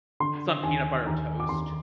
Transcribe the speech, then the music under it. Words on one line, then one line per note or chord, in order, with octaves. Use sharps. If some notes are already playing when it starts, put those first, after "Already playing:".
some peanut butter toast.
D3 C6
D#2 G#5
D#2 A#5
D6
D#2 C6